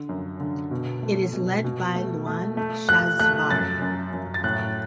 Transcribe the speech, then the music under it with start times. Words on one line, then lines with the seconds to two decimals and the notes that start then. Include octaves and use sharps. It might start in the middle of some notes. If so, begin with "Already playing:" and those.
It is led by Luan Shazivari.
Already playing: D3
0.09 F#2
0.40 D3
0.71 B2
1.03 A3
1.33 B2
1.64 B2
1.96 A3
2.26 A3
2.57 A3
2.89 A3 F#6
3.20 A3 F#6
3.51 F#2 A6
3.82 F#2
4.13 F#2
4.34 A6
4.44 A2 F#6